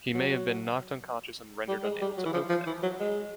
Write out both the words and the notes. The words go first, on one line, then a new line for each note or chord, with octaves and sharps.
He may have been knocked unconscious and rendered unable to open it.
F#3
G3
G#3
G3
F#3
E3
F3
F3
E3
F#3
G#3